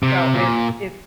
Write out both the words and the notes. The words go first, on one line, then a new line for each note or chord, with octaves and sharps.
So it's it's
C3
A#2